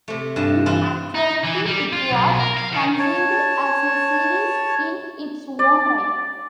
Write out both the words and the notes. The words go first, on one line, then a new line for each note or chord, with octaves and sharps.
In actuality, it was conceived as a series in its own right.
C3 A3
G2 A5
E3 E4 F4 A5
D#4
E3
G3
F4
B1
A#4
F5
D#3
C#5 A5
D5